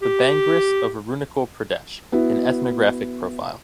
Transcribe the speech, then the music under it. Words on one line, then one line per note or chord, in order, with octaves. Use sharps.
The Bangrus of Arunachal Pradesh: An Ethnographic Profile.
G4
B3 E4 F#4